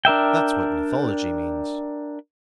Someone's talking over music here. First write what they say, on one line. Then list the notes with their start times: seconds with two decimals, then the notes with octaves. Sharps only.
That's what mythology means.
0.05 D4 A#4 E5 G5